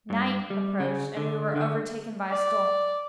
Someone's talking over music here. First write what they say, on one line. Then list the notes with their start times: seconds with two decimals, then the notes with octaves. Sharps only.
Night approached, and we were overtaken by a storm.
0.10 G2
0.50 G3
0.80 C#3
1.17 D3
1.56 D3
2.31 D5